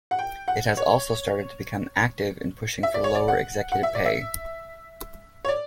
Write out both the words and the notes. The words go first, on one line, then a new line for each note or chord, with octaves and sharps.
It has also started to become active in pushing for lower executive pay.
F#5
G5
F#5
C#5
E5
D5
C#5
D5
F#5
F#5
E5
D5
E5
C#5
D5